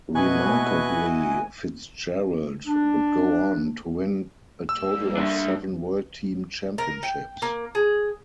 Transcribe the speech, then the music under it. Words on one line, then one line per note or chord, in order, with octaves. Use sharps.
Remarkably Fitzgerald would go on to win a total of seven World Team Championships.
B2 E4 F#4 B4 D#5 G#5 C#6 F#6
D4
G3 A#3 E6
D4 E5
A#4
G5
A#3
G#4